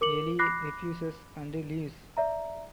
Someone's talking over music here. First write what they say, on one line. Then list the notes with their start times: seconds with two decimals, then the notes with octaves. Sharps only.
Elie refuses and leaves.
0.01 A#4 D6 C#7 F#7
0.39 B5 D6 F#6 A#6 C7
2.17 D5 E5 A#5